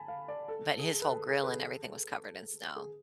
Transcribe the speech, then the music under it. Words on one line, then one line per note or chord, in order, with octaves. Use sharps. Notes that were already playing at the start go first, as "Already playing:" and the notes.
But his whole grill and everything was covered in snow.
Already playing: G#5 A5 B5
F5
D5
A4
G#4
B4
A4
G#4
B4
A4
G#4